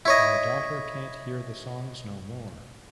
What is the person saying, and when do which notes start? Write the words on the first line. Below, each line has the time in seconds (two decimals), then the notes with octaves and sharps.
My daughter can’t hear the songs no more.
0.05 E4 C#5 D#5